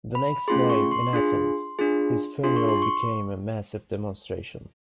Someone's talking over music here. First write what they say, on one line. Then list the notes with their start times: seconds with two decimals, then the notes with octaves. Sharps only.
The next day, in Athens, his funeral became a massive demonstration.
0.15 B5
0.48 A3 C#4 F4 G#4 C6
0.70 C#6
0.91 C6
1.13 D4 F4 G#4
1.79 D4 F4 G#4
2.43 D4 F4 G#4 C6
2.56 C#6
2.69 C6
2.82 C#6